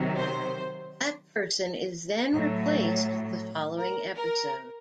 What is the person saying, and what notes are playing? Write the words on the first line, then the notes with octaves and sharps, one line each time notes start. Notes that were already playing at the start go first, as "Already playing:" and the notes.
That person is then replaced the following episode.
Already playing: C3 D#3 F#3
C5
A2 F#3
A#4
A#4